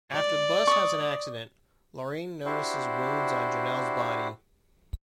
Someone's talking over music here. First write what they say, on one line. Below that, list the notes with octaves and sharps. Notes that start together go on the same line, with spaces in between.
After the bus has an accident, Lurene notices wounds on Jonell's body.
D5
C#6 D#6
D4 E4 F#4 G4 C5